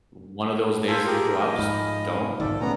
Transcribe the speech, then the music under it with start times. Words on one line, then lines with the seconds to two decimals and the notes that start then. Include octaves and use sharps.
o one of those days that you go out, just don't
0.87 F4 A4 C5 G#5
1.06 G4 G#4 A#4
1.40 F3 D#5 F5 G#5
1.59 G#2 B5
2.40 B1 G#2 D#3 A4 C5 D5 E5
2.61 A2 C#3 B3 C#4 A#5